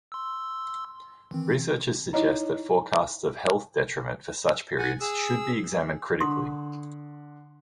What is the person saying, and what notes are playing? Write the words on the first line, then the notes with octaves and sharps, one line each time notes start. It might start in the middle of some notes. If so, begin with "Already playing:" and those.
Researchers suggest that forecasts of health detriment for such periods should be examined critically.
C6 E6
D#3 E3 C4
D#4 E4 C#5 D#5 A#5
F#5 G#5
G#4 E6
D3 C6 D#6